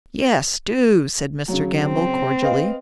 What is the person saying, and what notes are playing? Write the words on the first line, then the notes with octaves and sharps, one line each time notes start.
"Yes, do," said Mr. Gamble, cordially.
C#3 F#3
C4
B4 D#5 F5